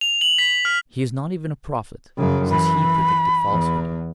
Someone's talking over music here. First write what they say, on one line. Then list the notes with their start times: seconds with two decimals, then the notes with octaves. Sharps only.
He is not even a prophet, since He predicted falsehood.
0.01 F7
0.21 F#7
0.39 B6
0.65 F6
2.18 F#2 C#3
2.51 E3 B5
3.49 E2